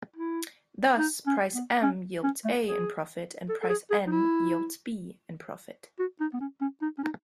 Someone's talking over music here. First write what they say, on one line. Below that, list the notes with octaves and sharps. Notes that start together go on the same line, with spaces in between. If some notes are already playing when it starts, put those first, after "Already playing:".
Thus price M yields A in profit and price N yields B in profit.
E4
D#4
C#4
B3
C#4
C#4
A3
G#4
A4
A4
G#4
G#4
D#4
E4
F#4
D#4
B3
C#4
C#4
D#4
C#4
D#4